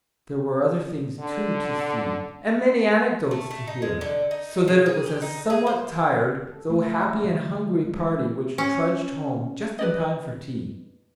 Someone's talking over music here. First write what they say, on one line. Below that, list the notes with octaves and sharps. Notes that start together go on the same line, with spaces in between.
There were other things, too, to see, and many anecdotes to hear, so that it was a somewhat tired, though happy and hungry party which trudged home just in time for tea.
D3
A3
A3
D#4
G#3
D3
D#4
C#3
G#4
G4
D#4
G#4
C5
A4
A3
D#5
D3
G3
G#3
C#4
B4 D5 D#5